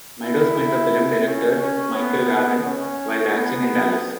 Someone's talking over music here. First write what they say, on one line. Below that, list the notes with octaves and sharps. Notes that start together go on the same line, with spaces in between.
Meadows met the film director Michael Raven while dancing in Dallas.
E4
C#4
C#4
B3
C#4
B3